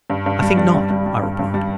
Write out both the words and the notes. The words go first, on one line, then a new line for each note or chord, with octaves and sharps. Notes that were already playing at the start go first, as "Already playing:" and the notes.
"I think not," I replied.
G2
G2
G3
G3
G2
G3
G3
G2
G2
G3